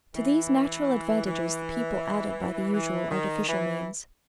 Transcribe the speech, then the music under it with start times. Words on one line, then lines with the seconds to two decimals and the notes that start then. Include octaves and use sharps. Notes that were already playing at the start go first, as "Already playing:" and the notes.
To these natural advantages the people added by the usual artificial means.
0.15 E3
1.25 E3
2.74 E3
3.11 D#3
3.48 E3